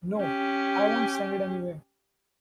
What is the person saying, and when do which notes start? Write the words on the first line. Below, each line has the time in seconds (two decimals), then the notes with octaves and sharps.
No, I won't send it anywhere.
0.17 C#4 G4